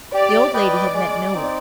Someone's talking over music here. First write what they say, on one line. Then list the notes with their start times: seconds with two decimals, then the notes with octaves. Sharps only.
The old lady had met no one.
0.14 G4 D5
0.54 B4 D5 D#5 G5
0.94 G#3
1.34 C4 D#4